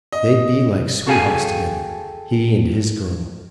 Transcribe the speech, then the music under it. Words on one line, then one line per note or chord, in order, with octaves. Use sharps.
They'd be like sweethearts together, he and his girl.
D#5
F#4 G#4 A4 F5 G5 G#5